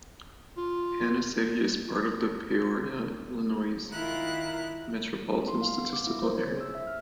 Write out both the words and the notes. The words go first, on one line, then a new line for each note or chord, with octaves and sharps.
Hanna City is part of the Peoria, Illinois Metropolitan Statistical Area.
F4
D#3 E4 F4 A#4 F#6
C4
C6
F5
B3
D6
E4
C5
C#5
G#4
E6
E5
F6